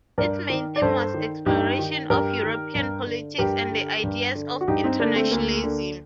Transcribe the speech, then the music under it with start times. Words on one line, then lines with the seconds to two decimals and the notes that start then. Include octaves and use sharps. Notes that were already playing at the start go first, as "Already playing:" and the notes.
Its main theme was exploration of European politics and the ideas of internationalism.
0.18 G2 A#4 D5
0.50 D#3
0.76 D5
0.82 G2 A4 C5
1.14 D#3
1.46 G2 D#4 G4
1.79 D#3
2.10 G2 G4 A#4
2.43 D#3
2.75 G2
3.07 D3
3.38 G2 G4 A#4
3.71 D3
4.04 G2
4.35 D3
4.61 F#4
4.68 G2 D#4 G4
4.84 C4 D#4
5.00 D3 A#3 D4
5.16 A3 C4
5.31 D2 A#3
5.64 D3